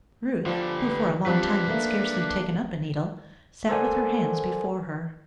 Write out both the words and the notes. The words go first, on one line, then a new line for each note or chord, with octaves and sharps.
Ruth, who for a long time had scarcely taken up a needle, sat with her hands before her.
D3 F3 G3
B4
F3 G3 C4 D4 B4
A3 A#3
A4 A#4 C5 D5 F#5 G#5